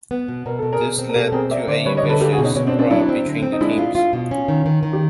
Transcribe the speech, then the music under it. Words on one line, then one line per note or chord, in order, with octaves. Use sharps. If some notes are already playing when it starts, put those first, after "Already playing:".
This led to a vicious brawl between the teams.
B3
B2
B2 A#4
B2 A4
G#4 A#4
B2
C4
A#4
B2 G4 A4
A4
C4 G#4 A#4
A#3 D5 E5
D3 C5 D5
G3 B4 C#5
C#5 D#5
D3
A4 B4
A#3 G4 A4
F#4 G#4
B2
C#4 D#4
B2 C#4
C4 D4
B2
C4 D4
F#3 D4 E4
C4
D3
C4
D#4
G#3 D4 E4
F4
F4
B2
C#4
D#3
D#3
D#3
G4